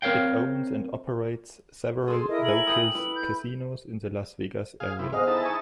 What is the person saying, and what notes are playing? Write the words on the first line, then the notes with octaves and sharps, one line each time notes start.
It owns and operates several locals casinos in the Las Vegas area.
C4 A#4 C#5 F5 G5
G#4 A4 C6
E4 A#4 D#5
A4 G#5 F#7
G5 D#6
E4 B4
B5 G6
G#4 F5
C3 E4
E2 G#4 A4 C5 D#5 F5 F#5
D#4 E4 A5
G#5 C#6